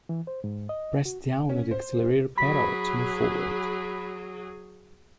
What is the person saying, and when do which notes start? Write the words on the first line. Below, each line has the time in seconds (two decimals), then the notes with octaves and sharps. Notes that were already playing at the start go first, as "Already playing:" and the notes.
Press down on the accelerator pedal to move forward.
0.09 E3
0.27 C5
0.44 G#2
0.69 D#5
1.05 F#4
1.49 C#4
1.71 C5
2.38 F#3 G#4 B5 B6